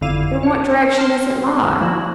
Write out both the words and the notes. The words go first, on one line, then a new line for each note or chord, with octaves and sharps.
'In what direction does it lie?'
G1 F2 D3 E4 F5 D#7
D4 C#5
C5 A5 C6 F6 C7
F3 G3 A#3 E4 F#4